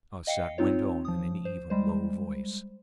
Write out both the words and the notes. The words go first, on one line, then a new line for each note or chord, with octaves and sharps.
Arsat went on in an even, low voice.
D#5 F5 G5 C7 C#7
C4 D#4 F4 C#5
F3 D#6
C5
G3 G#3 C5